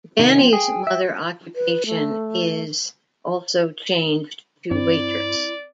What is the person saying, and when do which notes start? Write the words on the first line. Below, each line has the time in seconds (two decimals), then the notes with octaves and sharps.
Danny's mother occupation is also changed to waitress.
0.19 C3 D#3 D#4
0.38 F3 B3 C4
0.53 G#4 G5
0.87 E5
1.56 B4
1.86 A3
4.71 G2 C4 E4 D5